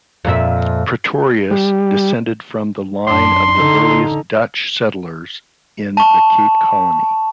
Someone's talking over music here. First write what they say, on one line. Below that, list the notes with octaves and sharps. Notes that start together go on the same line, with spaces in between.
Pretorius descended from the line of the earliest Dutch settlers in the Cape Colony.
F2 A#2 E5
G3
F#2 D4 C6
D3 D#4
A5 C#6